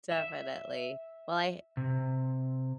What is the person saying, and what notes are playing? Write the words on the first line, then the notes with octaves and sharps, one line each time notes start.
definitely. Well, I
E5
C3